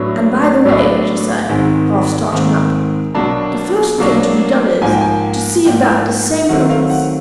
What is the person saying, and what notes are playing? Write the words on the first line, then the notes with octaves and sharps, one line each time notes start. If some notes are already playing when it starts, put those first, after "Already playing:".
And by the way," she said, half starting up, "the first thing to be done is, to see about this same Prudence.
Already playing: A2 F#3 B3 D4
A2 F#3 B3 D4
G#2 D#3 G#3 C4
G#2 D#3 G#3 C4
B2 F#3 A#3 D4 A5
B2 F#3 A#3 D4
G#2 F3 A#3 G#5
G5
G#5
G#2 F3 A#3 G5
D#3 F#3 A3 C4 F#5
F5
F#5